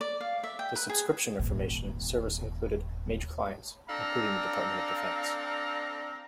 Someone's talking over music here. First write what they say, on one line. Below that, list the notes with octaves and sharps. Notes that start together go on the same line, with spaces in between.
The subscription information service included major clients including the Department of Defense.
D5
F5
E5
G5
B4
G#4
D#1 G#1
C4 D4 A4 F5 A#5